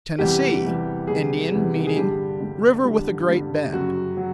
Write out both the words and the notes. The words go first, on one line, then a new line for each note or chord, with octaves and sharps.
Tennessee--Indian; meaning "river with the great bend."
E2 C3 E3 G3 G4
E2 C3 E3 G3
E2 C3 E3 G3 G#4
E2 C3 E3 G3
G#4
G2 D3 G3 G4
G2 D3 G3
G2 D3 G3
G2 D3 G3
F#2 C#3 F#3 F#4
F#3